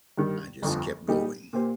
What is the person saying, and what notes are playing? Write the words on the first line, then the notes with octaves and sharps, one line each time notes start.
I just kept going,
G2 D#3 G3
G1 F2 F3
A#2 G3 D#4 G4
A#2 A#3 G4 C5